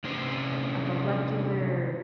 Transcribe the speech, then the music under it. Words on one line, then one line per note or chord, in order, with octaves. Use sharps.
a molecular
C3 E3 C#4 C5